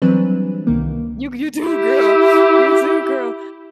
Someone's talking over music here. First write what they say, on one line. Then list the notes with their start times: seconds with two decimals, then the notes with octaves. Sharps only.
You d you do, girl. You do, girl.
0.02 E3 F#3 G3 C4 D4 B4
0.67 C2 D#3 A#3
1.66 E4 G4